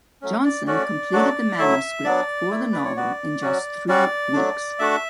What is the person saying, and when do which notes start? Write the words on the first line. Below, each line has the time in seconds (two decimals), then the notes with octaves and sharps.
Johnson completed the manuscript for the novel in just three weeks.
0.22 F#3 A3 C#4
0.45 D5
0.67 A3 C#4 F#4 D5
1.13 F#3 A3 D4 F#4
1.59 F#3 A3 E4 E5
2.05 F#3 B3 D4 D5
2.50 A3 E4
2.73 B4
2.85 C#5
2.96 B3 F#4 D5
3.42 F#3 C#4 F#4
3.88 G3 C#4 F#4 D5
4.33 F#3 A3 D4
4.79 A3 D4 F#4 E5